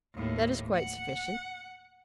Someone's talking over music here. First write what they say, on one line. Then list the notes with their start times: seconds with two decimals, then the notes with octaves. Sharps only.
'That is quite sufficient.
0.15 D#2 A2
0.75 F#5